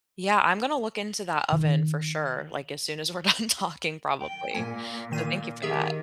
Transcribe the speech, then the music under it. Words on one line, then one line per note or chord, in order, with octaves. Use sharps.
Yeah, I'm gonna look into that oven for sure, like, as soon as we're done talking, probably, so thank you for that.
D#3
G5
A#2 G#5
A#2 D#3 D#7
D#3 G4 G#4 E5